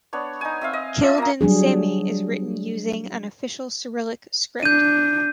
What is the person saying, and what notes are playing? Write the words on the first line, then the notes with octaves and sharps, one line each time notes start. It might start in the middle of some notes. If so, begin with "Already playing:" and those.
Kildin Sami is written using an official Cyrillic script.
B3 D4 C#5
D#4 G#5
C4 E5 F5
D#5
D4 F4 D#5 E5
A#3 A#5
F#3 G3 D4 G#4
D4 G6 D#7